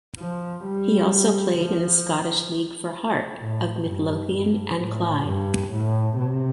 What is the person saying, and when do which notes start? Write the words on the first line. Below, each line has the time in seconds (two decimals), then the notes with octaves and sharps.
He also played in the Scottish League for Heart of Midlothian and Clyde.
0.19 F3
0.65 G3
1.57 F3
3.41 A2
3.86 G2
4.33 G2
4.79 A2
5.25 G2
5.71 A2
6.17 C3